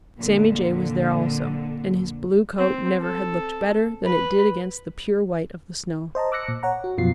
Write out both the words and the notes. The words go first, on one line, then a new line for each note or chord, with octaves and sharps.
Sammy Jay was there also, and his blue coat never had looked better than it did against the pure white of the snow.
F2 A#2 D3
C4
A4
B4
C5 D#5 A5 A#5
D6 E6 F#6 A#6 C#7
A#2
C#5 F#5 A#5
F#4
F#2 B2 F3 F4 C7